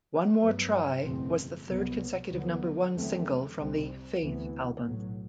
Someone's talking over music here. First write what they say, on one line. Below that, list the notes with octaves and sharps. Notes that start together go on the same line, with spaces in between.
"One More Try" was the third consecutive number one single from the "Faith" album.
G2 F#3 B3
F#1 E2 B2 A3 C4
C2 B2 F#3 B3
D2 D3 F#3 B3
E2 D3 F#3 A3 C4
C2 C3 G3 C4
D2 C3 E3 B3
B1 A2 F#3